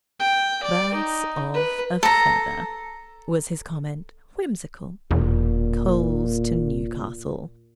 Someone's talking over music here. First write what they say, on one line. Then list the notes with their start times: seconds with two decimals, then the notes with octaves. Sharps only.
"Birds of a feather," was his comment, whimsical; "coals to Newcastle!"
0.20 G5
0.63 D5
0.95 D#4
1.54 B4
2.03 A4 A#5
5.11 E1 A#2